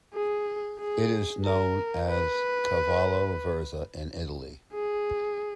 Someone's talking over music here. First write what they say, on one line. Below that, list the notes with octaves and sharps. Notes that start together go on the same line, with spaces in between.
It is known as 'cavolo verza' in Italy.
G#4
G#4
A#4
B4
G#4